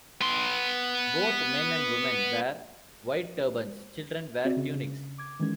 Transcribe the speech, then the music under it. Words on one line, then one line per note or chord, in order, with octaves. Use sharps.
Both men and women wear white turbans; children wear tunics.
B3 C6
C4 F#4 D5 E5
C#3
C#3
C#3
D6 G#6
D#3 E3 G#3 C#4 G#6